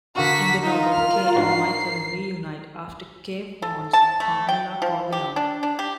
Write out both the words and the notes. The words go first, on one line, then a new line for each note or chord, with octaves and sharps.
In the novel, Kay and Michael reunite after Kay phones Carmela Corleone.
D3 F#4 A#4 F5 C#6 B6
D#4 F4
F6
G#2 D4 F#4 C7
A4
A5
A3
G5
F3
G4
D4
D4
G4